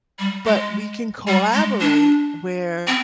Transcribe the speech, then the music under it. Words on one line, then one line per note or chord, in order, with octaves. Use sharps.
but we can collaborate where
G3
G#3
G3
G#3
D4
C4